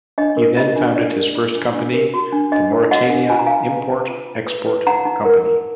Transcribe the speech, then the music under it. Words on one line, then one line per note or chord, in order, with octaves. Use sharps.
He then founded his first company, The Mauretania Import Export Company.
D4 D#5
A#4
F4 D#5
D4
D4 D5
A#4
F4
D4
D4
A#4
F#4
D4
D4 D#5
A#4
F#4 D#5 F#5
D4
F4 G#5
A#5
F4 F5 G#5
B4
B4
F4
F4
B4
B4
D#4 F#5 A#5
D#4
A#4
A#4